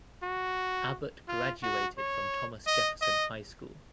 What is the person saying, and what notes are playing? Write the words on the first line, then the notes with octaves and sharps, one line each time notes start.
Abbott graduated from Thomas Jefferson High School.
F#4
F4
F#4
C#5
D#5
D#5